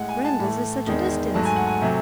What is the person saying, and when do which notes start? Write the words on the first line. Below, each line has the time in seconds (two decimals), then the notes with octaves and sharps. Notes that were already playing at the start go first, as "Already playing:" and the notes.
Randalls is such a distance.
Already playing: A2 G#3 F#5
0.09 G#5
0.24 A5
0.39 A2 E3 A3
0.87 E2 D#3 G#3
1.34 G#2 F#3 A3 A5
1.45 G#5
1.56 F#5
1.67 G#5
1.81 C3 F#3 A3